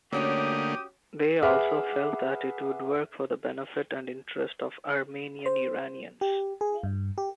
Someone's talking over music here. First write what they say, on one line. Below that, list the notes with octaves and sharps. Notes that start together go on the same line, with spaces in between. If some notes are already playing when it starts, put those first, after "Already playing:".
They also felt that it would work for the benefit and interest of Armenian-Iranians.
D3 A3 A#3 C#4 F#4 G4 C#5 D#6
G#4 B4 E5 F#5 D6 F6
C5
G4
G#4
G2
G4